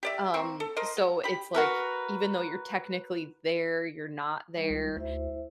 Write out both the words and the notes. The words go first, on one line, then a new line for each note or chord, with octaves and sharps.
Um, so, it's, like, even though you're technically there, you're not there.
G4 D5 E5
A#3 C4 C#6
A4
A#4 C5 D#5
F#3
G4 B5
F#4 A#4 B4
G3 D#4
C#2
D2 E4 C5 E5